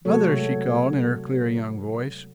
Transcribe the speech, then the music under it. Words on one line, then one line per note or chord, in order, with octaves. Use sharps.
"Mother!" she called in her clear young voice.
C3 F#3 G#3 A3 A4 C#5